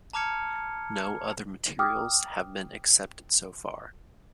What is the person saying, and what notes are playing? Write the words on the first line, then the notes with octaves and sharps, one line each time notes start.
No other materials have been accepted so far.
A5 A#5 D6 F6 G#6 C#7
G5 D6 D#6 F6